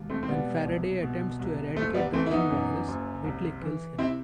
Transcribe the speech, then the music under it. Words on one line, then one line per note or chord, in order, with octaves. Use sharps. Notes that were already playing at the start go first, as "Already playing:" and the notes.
When Faraday attempts to eradicate the Thing virus, Whitley kills him.
Already playing: E1 D#2
A3 C4
C4
B2 G3 B3
C2
B2
C2
F#1 A3
G3 B3
E3 A3 C4
E4
B3 D#4
F#2
F#1
C2
E3
C3 C4 E4